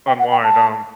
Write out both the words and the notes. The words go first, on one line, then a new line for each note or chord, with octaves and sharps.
unwind, um,
G5
F#5
G5
A5